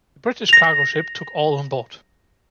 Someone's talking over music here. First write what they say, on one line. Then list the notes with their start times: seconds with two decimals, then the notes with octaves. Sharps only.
The British cargo ship took all on board.
0.49 A#6 F7